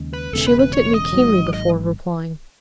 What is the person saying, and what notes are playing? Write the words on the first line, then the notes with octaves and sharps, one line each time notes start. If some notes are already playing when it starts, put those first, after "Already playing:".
She looked at me keenly before replying.
Already playing: D#2 C#3 G#3
B4
E1 E2 C#3 E3 A4
B4
B4
C#5
D#5
G#1 G#2 F#3
D#5